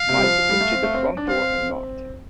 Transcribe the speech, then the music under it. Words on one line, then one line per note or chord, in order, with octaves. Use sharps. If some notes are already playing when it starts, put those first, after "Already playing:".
Mike went to the front door and knocked.
Already playing: F5
C3
G3
F3
F3
G3
A3
C4
A3
C4
D4
C4 F5